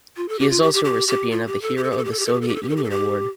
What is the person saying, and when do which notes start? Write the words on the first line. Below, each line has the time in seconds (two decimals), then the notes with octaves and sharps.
He also is a recipient of the Hero of the Soviet Union award.
0.17 F4
0.29 A4
0.39 G4
0.50 F4
0.62 G4
0.74 G4
0.85 G4
1.08 G4
1.31 F4
1.47 G4
1.62 A4
1.77 G4
1.84 A4
1.91 G4
1.98 A4
2.05 G4
2.12 A4
2.19 G4
2.26 A4
2.34 G4
2.41 A4
2.48 G4
2.55 A4
2.63 G4
2.69 A4
2.77 G4
2.84 A4
2.90 G4